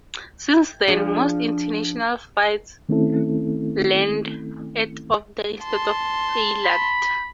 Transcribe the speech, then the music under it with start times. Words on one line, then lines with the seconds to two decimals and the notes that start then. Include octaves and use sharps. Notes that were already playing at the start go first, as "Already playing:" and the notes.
Since then, most international flights land at Ovda instead of Eilat.
0.88 F3 D4 G#4
2.89 D#3 A3 C4 C#4 E4 A4
5.64 A5 C6
6.64 B5